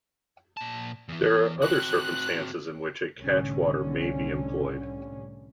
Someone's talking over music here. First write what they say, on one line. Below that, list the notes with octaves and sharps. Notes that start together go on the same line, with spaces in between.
There are other circumstances in which a catchwater may be employed.
A#2 A5
E2 E3
C4 F#4 F#6
C2 A2 D3 G3 C#4